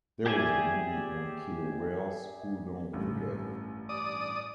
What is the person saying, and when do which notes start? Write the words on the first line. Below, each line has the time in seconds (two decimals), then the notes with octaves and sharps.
There was the movie on killer whales who don’t forget.
0.26 G4 G#4 D5 E5 G#5
2.93 A1 G2
3.89 D5 D#6